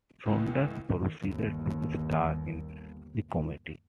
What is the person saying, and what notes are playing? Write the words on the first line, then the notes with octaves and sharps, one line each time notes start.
Saunders proceeded to star in the comedy.
C#2 A2 E3
G1 D#2